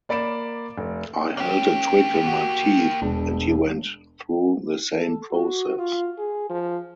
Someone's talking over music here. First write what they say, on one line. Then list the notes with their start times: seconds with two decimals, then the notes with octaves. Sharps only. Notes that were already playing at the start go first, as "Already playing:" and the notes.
I held a twig in my teeth, and he went through the same process.
0.09 A#3 D5 B5 D6 D7 E7
0.78 F1
1.37 A#3 C#4 G4
2.26 F#4
3.02 E1 D4
4.96 A4
5.31 F#4
5.79 F4
6.18 G#4
6.50 F3